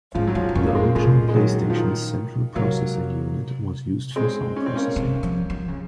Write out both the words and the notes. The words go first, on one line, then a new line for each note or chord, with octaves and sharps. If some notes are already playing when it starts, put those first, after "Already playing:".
The original PlayStation's central processing unit was used for sound processing.
G#2 C#3 F3
F#3
F#2 C#3 F3
F#2
F2 A#3 C#4
A#3
G#3 C4
A#2 F3 G#3
G#3
D#3 F#3
F3
D#3
C3 F#3 A#3
G#3 C4
C#4
C4
A#3 C#4
C3
F3
F3
C#3